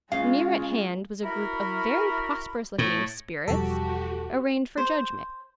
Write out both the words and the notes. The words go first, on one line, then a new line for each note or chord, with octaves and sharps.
Near at hand was a group of very prosperous-looking spirits arraigned for judgment.
C#3 G#3 F4 F5
E4 F#4 A#4 B5
A2
E1 F3 G3 F#4 G4 A4
C5